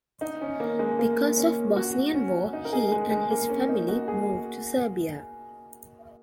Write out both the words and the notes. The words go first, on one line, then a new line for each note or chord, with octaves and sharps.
Because of the Bosnian War he and his family moved to Serbia.
D#4
C#4
A#3
G#3
A#3
C#4
F#4
C#4
D#4
A#4
G#4
G#3
G#3
A#3
C#4
D#4
F#4
G#4